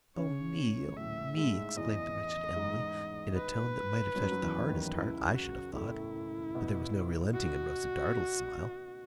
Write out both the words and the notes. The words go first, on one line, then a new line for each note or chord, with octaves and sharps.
'Oh me, oh me!' exclaimed the wretched Emily, in a tone that might have touched the hardest heart, I should have thought; but there was no relenting in Rosa Dartle's smile.
C#3 C#4 C#5
A2 A3 E5
G#2 G#3 E5
E2 E3 D#5
G#2 G#3
B4
F#2 F#3
F#3
E2 E3
D#2 D#3
C#2 C#3 E4
F#4
A2 A3 E4
B2 B3
F#4